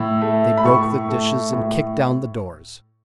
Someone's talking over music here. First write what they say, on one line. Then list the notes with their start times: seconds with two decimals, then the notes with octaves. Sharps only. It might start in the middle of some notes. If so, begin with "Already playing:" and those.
They broke the dishes and kicked down the doors.
Already playing: A2 E6
0.21 A3
0.57 B5
0.65 A2 C#6
1.09 A3
1.53 A2